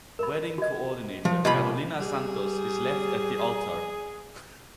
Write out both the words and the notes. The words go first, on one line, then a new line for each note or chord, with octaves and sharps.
Wedding coordinator Carolina Santos is left at the altar.
A#4 B5
F#4 D#5
F3
C2 F4 D#5 B5
G3 G#4